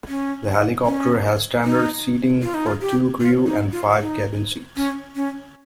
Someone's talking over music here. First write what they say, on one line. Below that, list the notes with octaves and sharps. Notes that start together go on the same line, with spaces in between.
The helicopter has standard seating for two crew and five cabin seats.
C#4
C#4
D#4
F4
D#4
F4
G4
F4
D#4
F4
D#4
C#4
C#4